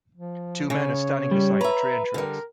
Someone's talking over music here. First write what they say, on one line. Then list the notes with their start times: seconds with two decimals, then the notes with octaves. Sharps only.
Two men are standing beside the train tracks.
0.15 F3
0.70 C#3 C#5
1.31 G3
1.61 B4 E5 A#5
2.14 D3 G3 A#4